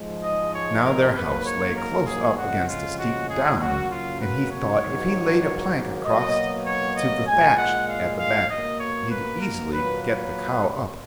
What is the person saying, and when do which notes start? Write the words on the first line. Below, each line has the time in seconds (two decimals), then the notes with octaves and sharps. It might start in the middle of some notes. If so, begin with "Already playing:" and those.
Now their house lay close up against a steep down, and he thought if he laid a plank across to the thatch at the back he'd easily get the cow up.
Already playing: G#2 F3 G#3
0.24 D#5
0.54 C#5
0.84 A#4
1.15 G#2 F#3 A#3 B4
1.46 C#5
1.76 A#4
2.06 G#4
2.38 F2 C#3 G#3 F#4
2.68 F4
2.99 F#4
3.29 G#4
3.60 F#2 C#3 F#3 A#3 F#4
3.90 F4
4.21 B4
4.52 C#5
4.82 G#2 D#3 F#3 A#3
6.05 B2 F#3 A#3 D#5
6.66 C#5
6.97 D#5
7.27 A#2 G#3 G#5
7.58 F#5
7.89 F5
8.19 F5
8.49 B2 A#3 D#5
8.80 C#5
9.11 B4
9.41 A#4
9.72 A#2 F#3 A#3 B4
10.03 B4